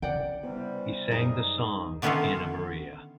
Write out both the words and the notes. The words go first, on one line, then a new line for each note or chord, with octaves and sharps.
He sang the song "Annamaria".
C#3 D5 F#5 G5
C3 E3 G3 B3
F#2 D#4 G#4 A#5
D3 D#3 B3 C#4 E4 F4